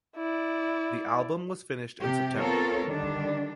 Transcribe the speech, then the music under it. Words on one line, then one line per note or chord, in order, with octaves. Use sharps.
The album was finished in September.
E4 D5
C3 G4
B3 C4 F4 A4 A#4 C#5
D3 D#3 G3 D4